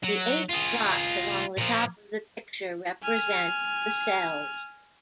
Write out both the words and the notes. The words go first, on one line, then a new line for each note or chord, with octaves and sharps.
The eight slots along the top of the picture represent the cells.
F#3
F4 G#4
A#2 F3
G#5 F6